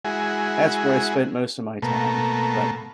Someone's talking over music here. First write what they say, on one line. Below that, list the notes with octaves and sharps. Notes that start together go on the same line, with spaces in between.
that's where I spent most of my time, but
G#3 E4 F#4 G#4
B2 A3 A#3